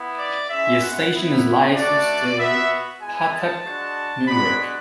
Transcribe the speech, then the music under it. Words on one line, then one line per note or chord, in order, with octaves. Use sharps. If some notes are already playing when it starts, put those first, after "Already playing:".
The station is licensed to Patchogue, New York.
Already playing: B3 E4
D5
G#3 C#4 E4 E5
F#5
B3 E4
A3 D4 F#4 D5
B3 F#4 E5
G#3 B3 E4 G#5
A5
G#3 D4 F#4
G#3 D4 F#4 B5